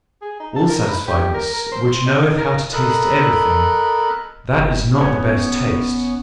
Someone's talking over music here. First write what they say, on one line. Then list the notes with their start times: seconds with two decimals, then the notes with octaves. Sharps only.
All-satisfiedness, which knoweth how to taste everything,--that is not the best taste!
0.22 G#4
0.40 D#4
0.56 A5
0.68 A#4
0.88 B4
1.08 G4
1.34 A#4
1.53 A#4
1.72 C5
1.88 C6
2.06 D#5
2.38 A#4
2.73 A4 A#4 D#5 B5 F#6
4.53 F#1
5.01 E1 B3 C#4